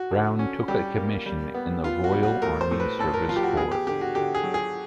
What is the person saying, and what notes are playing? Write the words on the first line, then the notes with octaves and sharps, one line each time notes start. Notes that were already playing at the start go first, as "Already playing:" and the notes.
Brown took a commission in the Royal Army Service Corps.
Already playing: F#4
D3
C#4
G3 G4
A#3
G3
B3
B3 F4
F#4
G3
F#4
A2 A#4
C5
A2
B4
A2 A4
A#4
F3 F4
G4
F#4
B3 G#4
G4
D3 G4
F#4
D3 G4
G#4
F#3
G#4